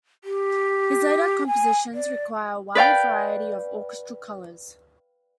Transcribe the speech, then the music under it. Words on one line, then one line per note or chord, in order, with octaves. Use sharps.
His later compositions require a wide variety of orchestral colours.
G4
G#5
D5
B4 D5 F5 G5